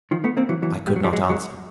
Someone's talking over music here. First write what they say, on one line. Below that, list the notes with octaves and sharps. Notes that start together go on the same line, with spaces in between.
I could not answer.
D#3 F3
A3 B3
A#3 C4
E3 F#3
E3 F#3
G3
F#3
F3 G3
F#3 G#3
F#3 G#3